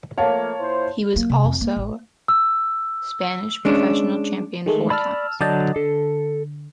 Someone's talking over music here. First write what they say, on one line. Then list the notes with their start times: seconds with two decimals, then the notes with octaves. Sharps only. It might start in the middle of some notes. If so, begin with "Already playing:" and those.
He was also Spanish professional champion four times.
0.18 F3 A3 A#3 C#5 F5 A5
0.58 A#2 E4 C5
1.16 F#3 A#3
1.30 C3
1.45 F2
1.61 A#3
1.77 A1
2.28 E6
3.65 G#3 C#4 D4
4.66 D#3 G#3 A3
4.90 D5 A5 B5 E6 F6
5.41 D3 F#3 D5 D#5 A5 G6
5.76 D3 A4